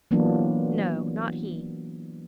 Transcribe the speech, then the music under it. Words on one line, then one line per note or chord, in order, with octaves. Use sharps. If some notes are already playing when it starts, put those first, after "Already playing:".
No, not he.
E3 F#3 A#3 B3 D4 F4